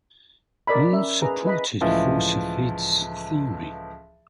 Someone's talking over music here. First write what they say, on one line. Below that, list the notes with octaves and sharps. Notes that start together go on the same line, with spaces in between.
All supported Forshufvud's theory.
A#4 D5 D#5 B5
C#4 E5
G#4 B4 A#5
B4 D#5 B5
C#2 A2 E3 F3